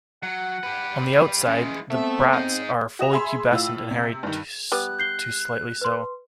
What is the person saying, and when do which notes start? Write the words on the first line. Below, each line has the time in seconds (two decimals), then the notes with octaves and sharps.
On the outside, the bracts are fully pubescent, hairy to slightly so.
0.23 F#3 F#5
0.63 G4 B4
1.46 E3 G#3 C#4
1.91 A3 B3 C4 E5
2.33 D#4 G#4
2.99 F#4 D#5 E7 F7
3.13 G#4 E5 B5 C6
3.51 A2 F4 E6
3.91 C3
4.23 G2 D#3
4.72 G3 B3 F#6
4.99 G6 C7 G7
5.81 B4 C6